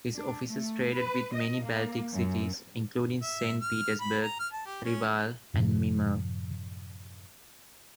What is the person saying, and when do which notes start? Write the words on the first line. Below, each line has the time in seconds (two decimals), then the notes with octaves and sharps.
His offices traded with many Baltic cities, including Saint Petersburg, Reval, and Memel.
0.15 D4
0.47 A3
0.95 B4
1.34 D#5
1.66 A#3
2.13 F#2
3.22 E5
3.61 F6
4.00 B5
4.23 A#5
4.40 F6
4.53 A5
4.66 G4
4.84 C#4
5.54 F#2 A2 C3 F3